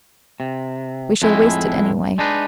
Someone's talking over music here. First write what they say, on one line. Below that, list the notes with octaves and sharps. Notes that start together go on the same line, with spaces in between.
We shall waste it anyway....
C3
F2 A2 G#3 E4
G#3 D4 D#4 B4